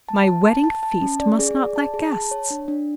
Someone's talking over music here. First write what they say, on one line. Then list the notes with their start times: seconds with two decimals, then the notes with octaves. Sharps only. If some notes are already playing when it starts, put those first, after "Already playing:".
My wedding feast must not lack guests.
0.09 A5
0.28 A5
0.46 A5
0.64 A5
0.83 A5
1.02 C#4
1.20 D5
1.39 G#4
1.57 D5
1.76 A5
1.94 G#4
2.12 A5
2.31 C#5
2.50 D4
2.68 D4